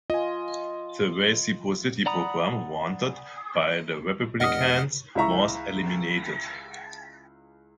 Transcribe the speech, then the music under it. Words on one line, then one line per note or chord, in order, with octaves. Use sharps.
The reciprocity program wanted by the Republicans was eliminated.
F4 D#5 G#5
D5 F#5 A#5 B5 D#6
F1 D#5 F#5 D#6 F6
C#2 E4 E5 A#5 C#6